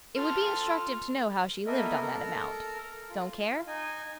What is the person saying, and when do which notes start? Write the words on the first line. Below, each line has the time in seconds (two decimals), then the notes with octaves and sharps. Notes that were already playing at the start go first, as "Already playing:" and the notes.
It would be instructive to know how she lived on that amount. Don't care?
0.17 A4 C6 F6
1.66 A#3 B3 A4 A#4 D#5 E5
2.02 A4 A#4 A#5
3.10 F4
3.67 D#4 D#5 G#5